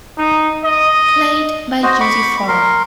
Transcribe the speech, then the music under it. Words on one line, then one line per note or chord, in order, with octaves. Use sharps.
Played by Judi Farr.
D#4
D#5
F#4 C5 D#5
B5 C#6 D6
A#4 C6